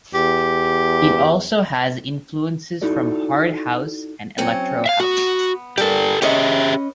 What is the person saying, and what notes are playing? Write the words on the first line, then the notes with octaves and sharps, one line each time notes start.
It also has influences from hard house and electro house.
E2 G4
D#4 E4 F#4 A4 D5
F#3 C4 C#4
E5 F5
B3 F#4
G3 A#3 D4 G4 A4
C#4 G4 G#4 B4 D#5 E5